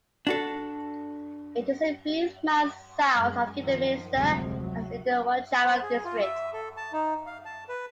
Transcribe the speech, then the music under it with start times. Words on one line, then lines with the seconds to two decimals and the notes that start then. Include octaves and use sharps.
It is a few miles south of Kidderminster and is in Wychavon district.
0.27 D4 F#4 A4
3.14 F#2 G#3
3.61 D#3 F3
4.14 F1 D2 C3 F3 F#3 G#3
4.55 F#3
5.64 C5
5.83 G#4
6.05 F4
6.21 E5
6.54 A4
6.77 A5
6.93 D#4
7.27 F5
7.45 A5
7.69 B4